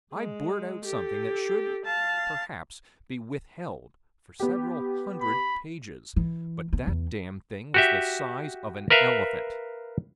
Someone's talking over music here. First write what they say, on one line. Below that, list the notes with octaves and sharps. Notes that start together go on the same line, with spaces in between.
I blurt out something that should, perhaps, be withheld for several hundred pages--but that damned thing was the size of an elephant.
G#3
G4 A4
F5 A5
B3 G4
B5
E3
B3
E2
F#4 G4 E5
A#4 B4 E5 F5